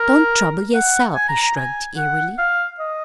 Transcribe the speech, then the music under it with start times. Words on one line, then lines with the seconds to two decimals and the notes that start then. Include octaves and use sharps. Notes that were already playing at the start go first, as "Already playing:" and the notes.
"Don't trouble yerself," he shrugged airily.
Already playing: A#4
0.74 F#5
1.15 G#5
1.29 A#5
1.43 A#5
1.56 G#5
1.97 F#5
2.39 F5
2.80 D#5